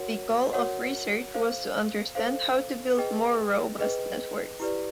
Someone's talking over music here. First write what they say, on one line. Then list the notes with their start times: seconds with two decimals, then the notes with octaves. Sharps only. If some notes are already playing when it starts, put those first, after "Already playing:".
The goal of research was to understand how to build more robust networks.
Already playing: F#4 A#4 C#5 F#5
0.53 F#4 A#4 C#5 F#5
1.34 A4 C5 F5
2.15 A4 C5 F5
2.97 G#4 B4 D#5 G5
3.78 G#4 B4 D#5 G5
4.60 E4 G4 B4 D5